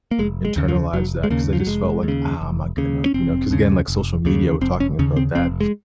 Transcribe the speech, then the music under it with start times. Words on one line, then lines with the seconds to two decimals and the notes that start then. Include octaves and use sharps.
internalized that 'cause I just felt like, "Ah, I'm not good enough," you know? 'Cause, again, like social media, we're talking about that,
0.11 A#3
0.19 F1 G#3
0.45 G#3
0.56 D#2 C#3
0.68 F3
0.93 F1 F#3
1.23 G#3
1.30 D#2 C#3 A#3
1.53 F3
1.60 F#3
1.67 F1 G#3
2.03 D#2
2.08 C#3
2.41 F1
2.77 D#2 C#3
3.06 C#4
3.14 F1 C4
3.51 D#2 C#3
3.88 F1
4.25 D#2 C#3
4.61 F1 C4
4.80 C#4
4.99 D#2 C#3 C#4
5.17 C4
5.35 F1 C4
5.61 G#3